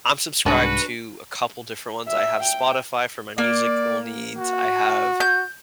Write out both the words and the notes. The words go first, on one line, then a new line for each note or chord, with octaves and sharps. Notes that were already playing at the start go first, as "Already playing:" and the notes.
I'm subscribed to a couple different ones. I have Spotify, for my musical needs. I have
C2 G#2 D4 F#4 G#4 B4
E5
G5
A#3 D5
F#4
G6